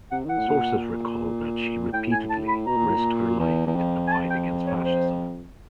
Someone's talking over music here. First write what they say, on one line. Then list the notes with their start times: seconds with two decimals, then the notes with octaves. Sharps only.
Sources recall that she repeatedly risked her life in the fight against fascism.
0.11 C3 F#5
0.24 D#3
0.29 E3 F#5
0.38 A2
0.47 A#2
1.93 A2 G5
2.12 G#5
2.30 A5
2.48 B5
2.66 B2 A#5
2.76 A#2
2.87 A2
2.97 A#2
3.40 E2
3.66 E2
3.75 F2
4.07 G#5
4.12 A5
4.30 G5
4.67 C#5
4.85 C5